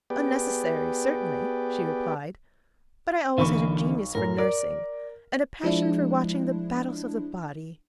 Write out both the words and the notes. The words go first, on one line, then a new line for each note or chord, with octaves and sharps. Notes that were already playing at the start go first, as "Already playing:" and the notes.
'Unnecessary certainly,' she replied: 'but I always had a genius for nursing, and a passion for watching the battles of the body.
B3 G4 G#4 B4 D5 G5
B1 D3 E3 A#3 B5 C#6
F#2 A2 A#4
A#4 D5
F3 G#3 D4 E4